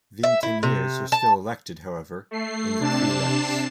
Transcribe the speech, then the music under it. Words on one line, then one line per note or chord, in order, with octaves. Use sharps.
Vingteniers are still elected, however, in the cueillettes.
E5
E4
C3
A5
A3 C7
C3 D4 A5 C7 E7